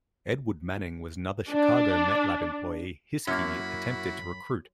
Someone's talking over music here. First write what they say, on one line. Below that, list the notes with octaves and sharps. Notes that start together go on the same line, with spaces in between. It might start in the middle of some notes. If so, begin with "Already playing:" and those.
Edward Manning was another Chicago Met Lab employee Hiskey attempted to recruit.
D4
F#2 A#3 C#4 E4 F#4 B5